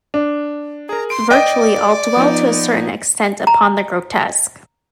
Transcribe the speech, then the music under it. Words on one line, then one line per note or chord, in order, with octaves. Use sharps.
Virtually all dwell to a certain extent upon the grotesque.
D4
G#4 A#4 A#5
C6 D7
D5 D#5 G5
F3 B3 D#4
A#5